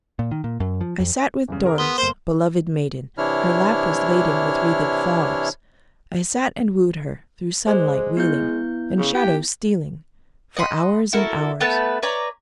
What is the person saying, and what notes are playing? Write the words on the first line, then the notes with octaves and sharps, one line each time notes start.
"I sat with Doris, beloved maiden, Her lap was laden with wreathed flowers: I sat and wooed her, through sunlight wheeling, And shadows stealing, for hours and hours."
A#2
D#3
A#2
F#2
F3
F2
E2 G2 C#3
G#4 A#4 A#5
B3 C6
G1 A#3 C5 C6
C3 E3 D4 E4 C#5 F6
G#3 C5 D5
B3 E4 G6
C#3
G4
D#5 F#5 B5 C6
E4 F#4 A4 A#4
A3 B3 B4 A5
B4 C#5 D5 A#5